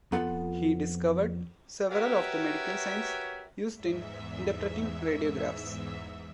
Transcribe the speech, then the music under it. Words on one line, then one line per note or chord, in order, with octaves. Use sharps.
He discovered several of the medical signs used in interpreting radiographs.
F2 B3 F4 A4 F#5
F#4 G4 A#4 B4 C#5 E5
E2 G#2 E5